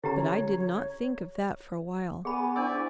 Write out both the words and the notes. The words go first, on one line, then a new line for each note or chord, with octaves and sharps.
But I did not think of that for a while.
D3 C#4 E4 G4 C#5 A#5
B3 G#4 G#5 B5 D6
D4 E4 C5 D5 C#6 E6